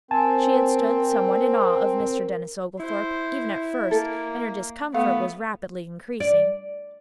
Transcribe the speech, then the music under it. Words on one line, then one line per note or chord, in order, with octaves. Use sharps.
She had stood somewhat in awe of Mr. Denis Oglethorpe, even at first, and her discomfort was rapidly increasing.
C4 A#4 G#5 A5
E4 C5
A#3 A4
A3 B3 F5 F#5
D5